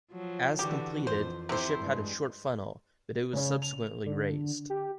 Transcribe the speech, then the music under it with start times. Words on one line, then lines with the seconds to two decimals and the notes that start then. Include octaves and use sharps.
As completed the ship had a short funnel but it was subsequently raised.
0.11 F3 F#3
0.59 D3 E3 F#4 G4
1.07 F2 C5
1.49 C3 E4 C5
1.80 G2 G#3
3.33 C#3 C#4
3.62 F7
4.06 D3
4.70 G4